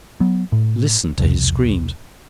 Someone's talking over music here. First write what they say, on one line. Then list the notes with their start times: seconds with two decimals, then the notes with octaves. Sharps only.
Listen to his screams!
0.20 F#3 B3
0.52 A2
1.18 E1 C2 F2